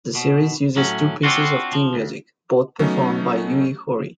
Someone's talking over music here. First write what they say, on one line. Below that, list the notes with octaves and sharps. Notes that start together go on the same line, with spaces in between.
The series uses two pieces of theme music, both performed by Yui Horie.
B2
A2 F#3 C#4
C4 D4 F4 F#4
F3
D2
F#3 A3 B3 C#4 D#4